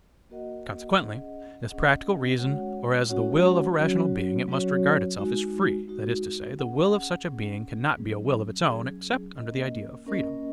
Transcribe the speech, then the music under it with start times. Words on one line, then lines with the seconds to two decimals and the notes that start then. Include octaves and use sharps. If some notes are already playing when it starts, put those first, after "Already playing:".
Consequently as practical reason or as the will of a rational being it must regard itself as free, that is to say, the will of such a being cannot be a will of its own except under the idea of freedom.
0.29 A#3 F#4 A#4 D#5 F#5
1.00 C#4 G#4 D#5 F#5
1.70 C#4 G#4 D#5 F#5
2.39 G#3 C#4 F#4 C#5 F#5
3.09 G#3 C#4 F#4 C#5 F#5
3.78 F#3 C#4 F#4 C#5
4.48 F#3 C#4 F#4 C#5
5.18 G#3 D#4 F#4
5.88 G#3 D#4 F#4
6.57 C#4 G#4 F#5
7.27 C#4 G#4 F#5
7.96 F#3 C#4 G#4
8.67 F#3 C#4 G#4
9.36 A#3 C#4 A#4 D#5
10.05 A#3 C#4 A#4 D#5